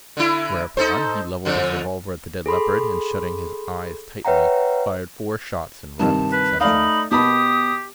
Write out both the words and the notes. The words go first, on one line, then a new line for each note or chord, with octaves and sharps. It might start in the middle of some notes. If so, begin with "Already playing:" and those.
Whereupon he levelled his revolver at the dead leopard, and shutting his eyes tightly, fired four shots in rapid succession.
D3 E4
D#4 A4 C5
F2 D3
G#4 A4 B5 C6
B4 C#5 E5 F#5 G5 A#5
G2 C3 D#3 A5
B4
A3 D#4 D5 F5 B5
B2 G4 A5 B5 D#6